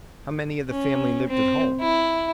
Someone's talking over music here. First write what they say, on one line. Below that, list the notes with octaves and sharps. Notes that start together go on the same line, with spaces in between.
"How many of the family lived at home?"
C#4
C4
E4